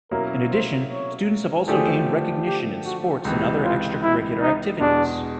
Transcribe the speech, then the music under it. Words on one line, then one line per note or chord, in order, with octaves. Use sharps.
In addition, students have also gained recognition in sports and other extracurricular activities.
B2 F#3 A#3 C#4 E4 A#4
C5
C#5
D3 F3 A3 D4 G4 G#4
G4
F#4
C#2 C3 E3
F4
E4
D#4
E2 B2 G#3 D4